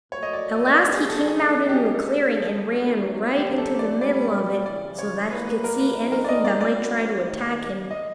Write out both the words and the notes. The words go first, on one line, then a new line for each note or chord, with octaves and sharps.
At last he came out into a clearing and ran right into the middle of it so that he could see anything that might try to attack him.
A#2 F#3 A3 C#5
D#5
D5
D5
D#5
C2 C3 D#3 G3 C4 D5
G#4
A4
G#4
G#2 F3 A#3 D#4 A4
G4
G#4
D#2 D3 F#3
C3 D#3 F#3 A3 C#4
F#2 D3 F3 A#3 D4 G4
A4
D5
E2 B2 G3 D5
D2 C#3 E3 G3 D5
C#5
A#2 G3 A#3 B4
B4
A#4
B4
A#2 F3 G#3 C4 D#4
A#4
D5
D#5
D5
F#2 D3 F#3 B3 D5
D2 C3 D#3
D#5